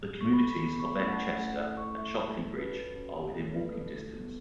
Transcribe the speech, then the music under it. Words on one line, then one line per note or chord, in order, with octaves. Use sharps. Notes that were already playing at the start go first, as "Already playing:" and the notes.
The communities of Ebchester and Shotley Bridge are within walking distance.
B3 A4 C#6
B5
B5
B3 A4 B5
C#6
A3 C#4 E4 A4 B5
F#5
A5
F#5
A3 C#4 E4 A4 F#5
A3 E4 A4 C#6
E5
A3 E4 A4 A5
C#4 F#4 A4 B4
C#4 F#4 A4
A3 E4 A4
B4
A3 E4 A4
B3 A4